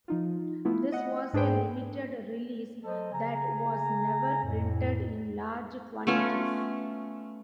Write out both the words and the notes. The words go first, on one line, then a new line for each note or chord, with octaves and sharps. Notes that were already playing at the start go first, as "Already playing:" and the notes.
This was a limited release that was never printed in large quantities.
F3 D#4 F4
A3 B3 E4 F4
D#5 F#5
G#2 D4 G#4 B4 C5 G5
F#3 A4 C5 D#5
C#3 G#5 A#5
F2 A2
A3 B3 C#4 F4